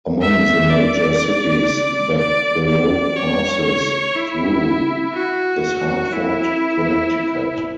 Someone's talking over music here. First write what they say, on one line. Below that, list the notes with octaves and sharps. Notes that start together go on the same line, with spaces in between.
Among the major cities that the road passes through is Hartford, Connecticut.
E5
D5
D5
D5
C#5
E4
F#4
E4